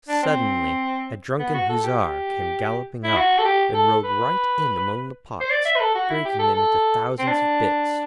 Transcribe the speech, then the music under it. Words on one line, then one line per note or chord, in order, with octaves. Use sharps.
Suddenly, a drunken Hussar came galloping up, and rode right in among the pots, breaking them into thousands of bits.
D4
C4
B3
F#4
A4
G4
G4
E4
F#4
A4
G4
A4
B4
C5
D5
E5
B4
A4
F#4
E4
G4
A4
A4
C4
D4